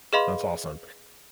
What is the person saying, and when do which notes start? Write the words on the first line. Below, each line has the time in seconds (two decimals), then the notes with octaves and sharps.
That's awesome.
0.13 G#4 B4 D#5 F5 B5 C6